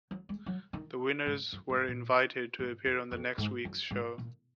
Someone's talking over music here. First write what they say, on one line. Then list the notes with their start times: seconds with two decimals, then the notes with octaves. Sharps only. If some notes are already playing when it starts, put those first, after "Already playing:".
The winners were invited to appear on the next week's show.
0.11 F#3
0.29 G#3
0.46 F#3
0.73 D#3
1.26 G#2
1.53 F#2
1.69 G#2
1.88 A#2
2.59 G#2
2.86 F2
3.11 F2
3.38 G#2
3.65 F#2
3.91 G#2
4.18 A#2